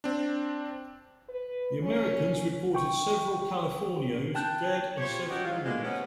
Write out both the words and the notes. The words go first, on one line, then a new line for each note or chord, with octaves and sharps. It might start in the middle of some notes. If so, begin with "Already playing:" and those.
The Americans reported several Californios dead and several wounded.
C4 D4
B4
C#4
G5 C#6
G5 A5 F#6 G6
F4 G4 C5 C#5
C#4 D#4 F#4 G4
G#2 F3 F#3 F4
B2 D3 E3 G#3 A#3
C3 B3 C#4